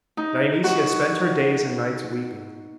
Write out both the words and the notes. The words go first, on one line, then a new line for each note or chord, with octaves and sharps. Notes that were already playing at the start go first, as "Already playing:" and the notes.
Dionysia spent her days and nights weeping.
D#4
F#4